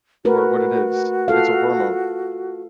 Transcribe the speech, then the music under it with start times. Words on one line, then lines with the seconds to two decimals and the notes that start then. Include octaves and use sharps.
or what it is? It's a hormone.
0.25 A3 F#4 A#4 B4
1.28 F4 A4 F5